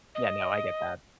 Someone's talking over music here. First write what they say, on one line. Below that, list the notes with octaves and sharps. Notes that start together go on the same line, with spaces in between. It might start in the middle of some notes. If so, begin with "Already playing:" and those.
Yeah, no, I get that.
D#5